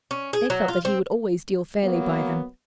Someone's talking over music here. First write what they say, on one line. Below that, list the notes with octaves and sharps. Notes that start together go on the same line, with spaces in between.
They felt that he would always deal fairly by them.
C#4
G#4
F#3
F4
C4
F#3 A#3 B3